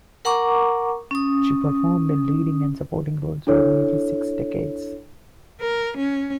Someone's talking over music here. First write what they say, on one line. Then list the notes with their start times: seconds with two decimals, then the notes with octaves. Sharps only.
She performed in leading and supporting roles over nearly six decades.
0.25 A#4 F#5 A#5 C#6 D6
1.11 C#4 D#6
3.47 D4 E4 A4 C#5
5.61 A#4
5.97 C#4